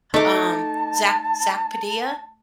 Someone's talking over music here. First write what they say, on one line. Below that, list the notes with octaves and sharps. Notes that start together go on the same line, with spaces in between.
um, Zack Zack Padilla
A3 D#4 A5 D6